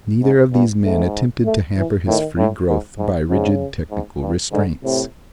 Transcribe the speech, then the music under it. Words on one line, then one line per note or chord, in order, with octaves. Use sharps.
Neither of these men attempted to hamper his free growth by rigid technical restraints.
G#2
G2
G#2 A3
A3
E3
A2 D#3
A2
G#2
G#2
G#2 C#3
G#2
G2
G#2 D3
A2 C3